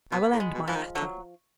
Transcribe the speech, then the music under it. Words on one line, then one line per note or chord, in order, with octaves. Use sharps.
I will end my letter.
B2 B3
A2
G#3
B2
E3 F3
D#3
D3 F#3